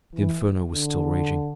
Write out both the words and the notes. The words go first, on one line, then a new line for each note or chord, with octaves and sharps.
The inferno was still raging.
E3
D3